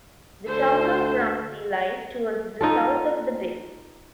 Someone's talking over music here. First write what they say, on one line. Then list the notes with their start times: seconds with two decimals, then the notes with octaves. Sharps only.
The town of Ramsey lies towards the south of the bay.
0.47 D2 A4 C5
2.61 D#4 F4 A4